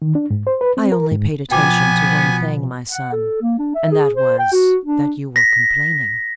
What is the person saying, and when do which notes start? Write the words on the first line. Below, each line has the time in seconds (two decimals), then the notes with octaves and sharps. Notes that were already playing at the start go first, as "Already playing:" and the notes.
"I only paid attention to one thing, my son, and that was, that you were complaining."
0.02 D#3
0.15 D4
0.31 G#2
0.47 C5
0.61 B4
0.77 C4
0.92 A#4
1.11 G#2
1.51 B2 F3 B3 G5 G#5 D6 G#6
2.91 F#5
3.12 A4
3.42 A#3
3.59 D4
3.75 E5
3.92 G#4
4.15 C5
4.39 G5
4.52 F#4
4.85 D4
5.36 A#6 B6